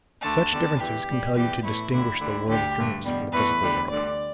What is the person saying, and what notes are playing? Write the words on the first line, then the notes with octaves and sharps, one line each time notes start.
Such differences compel you to distinguish the world of dreams from the physical world.
D2 D3 A3 A5
E2 D3 G3
E2 E3 G3 G4
A2 G3
E2 E3 G3 G4
A2 E3 A3 E4
D2 D3 G3 E4
D2 D3 G3
D2 D3 G3 G4
G2 D3 A3
E2 B2 G3
E2 E3 A3 B4
D2 D3 G3
D2 D3 G3 D5